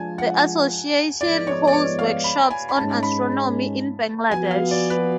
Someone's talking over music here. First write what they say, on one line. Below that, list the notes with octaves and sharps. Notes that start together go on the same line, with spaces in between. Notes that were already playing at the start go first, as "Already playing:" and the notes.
The Association holds workshops on astronomy in Bangladesh.
Already playing: F3 G#3 D4 F4 G#5 A5
F#5
G#2 F3 G#3 B3 D5
C#5
D5
C#5
F5
B5
G#5
B5
G#2 G#3 C#4 A5
B5
F3 B3 F#4 G#5
F5
D5
B4